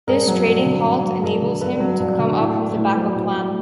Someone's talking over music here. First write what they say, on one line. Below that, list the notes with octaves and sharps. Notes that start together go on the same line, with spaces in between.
This trading halt enables him to come up with a backup plan.
G2 G#4 A#4
F#3
G2
D3
G2
F#3
G2 G#4 A#4
D3
G2 A4 B4
F#3
G2
D3
A2
A3
A2
F#3 C5 D5
A2
A3